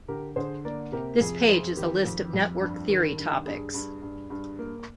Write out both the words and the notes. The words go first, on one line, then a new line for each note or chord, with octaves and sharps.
This page is a list of network theory topics.
D3 G4 A#4
D3 G#4 C5
A#3 A#4 D5
C3 G4 A#4
F2 G#4
C4 G#4
D#3 G4
F2
F2
G2
D#3
G2
G2 G#4
G2
G2
G2
A#3